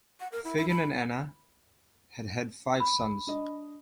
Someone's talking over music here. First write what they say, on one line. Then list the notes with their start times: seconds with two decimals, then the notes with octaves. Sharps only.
Fagan and Anna had had five sons.
0.20 F#5
0.32 A#4
0.45 E4
0.57 E4
0.69 B5
2.80 B5
3.27 D4 D#5